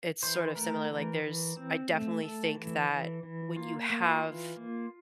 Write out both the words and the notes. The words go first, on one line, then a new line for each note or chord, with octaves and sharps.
it's sort of similar. Like, there's I definitely think that when you have,
E3 C5
A3 A#4
E3
E3
C4
A3
A3 A4
E3
E3
E3
A#3 F4
A#3
F4
E3
A#3